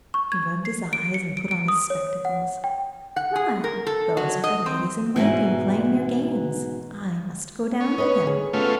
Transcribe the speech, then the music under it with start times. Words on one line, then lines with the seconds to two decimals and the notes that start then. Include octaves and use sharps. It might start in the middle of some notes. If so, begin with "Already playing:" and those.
He rubbed his eyes and put on his spectacles. 'Why those are the ladies-in-waiting playing their games; I must go down to them.'
0.14 C#6
0.32 G#6
0.65 C7
0.93 D7
1.14 C#7
1.37 D7
1.51 D7
1.68 D#6
1.90 C#5
2.25 F#5
2.64 G5
3.16 F#5
3.35 G#4
3.64 A#4
3.87 A4
4.17 F#3
4.44 D#5
4.66 C4
5.16 G#2 B2 E3
7.80 C#4
7.98 B4 C#5 D#5
8.27 G#4
8.53 A3 B3 C#4 F4